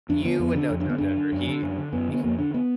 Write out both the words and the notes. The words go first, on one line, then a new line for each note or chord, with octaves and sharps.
You would know John Denver. He h
F2 D4
D3 B3
F2 B3
D3 D4
F2
D4
D3 B3
F#2 D4
D3
F#2
D3
F#2
D3
F#2 B3
D3
B3
F2 A#3
D3 D4
B3